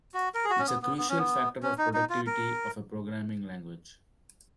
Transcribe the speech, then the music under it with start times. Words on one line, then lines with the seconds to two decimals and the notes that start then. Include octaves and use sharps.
It's a crucial factor of productivity of a programming language.
0.14 F#4
0.34 A#4
0.44 G#4
0.50 F#4
0.59 C#4
0.67 B3
0.82 B3
0.98 B3
1.09 C#4
1.18 B3
1.63 C#4
1.78 D#4
1.94 D#4
2.10 F4
2.27 A#4